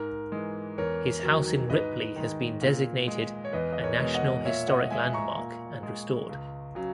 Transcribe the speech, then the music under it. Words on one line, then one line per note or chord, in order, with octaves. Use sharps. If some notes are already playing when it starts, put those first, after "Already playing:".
His house in Ripley has been designated a National Historic Landmark and restored.
Already playing: G#2 A#4
E3 G#3
E2 A#4 C#5
D#3 F#3
G#2 B4 D#5
D#3 G#3
A#2
G#3
C#5
E2 B4 D#5
D#5
A#4 C#5
B2 G#3
D#5 F#5
A#2 C#5 E5
D#5 F#5
G#3 E5 G#5
A#5 C#6
A#2
G#3
C#2
C#3 F#3